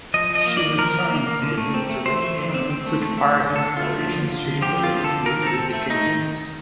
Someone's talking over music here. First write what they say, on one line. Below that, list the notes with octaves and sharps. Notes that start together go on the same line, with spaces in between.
She returned to the Mediterranean and took part in operations to liberate the Dodecanese.
F3 D#5
F3
D#5
A#3
D5
A#3
F3 A#4
F3
A#3
A#3
D3
A3
C4
A3
A3 C5
A3
D3
C4
C4
A3
A3
A3
D3
D3
A4
D3
F4
A3
F3
D3
D3
D3
F3 G4
C4
F4
D3
A4
D3
D#3 A#4
C4 A4
C4
A3
A3 D#4
D#3